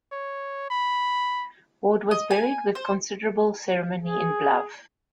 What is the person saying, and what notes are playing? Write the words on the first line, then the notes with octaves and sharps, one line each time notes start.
Ward was buried with considerable ceremony in Bluff.
C#5
B5
D#5
G#5
C5
G#4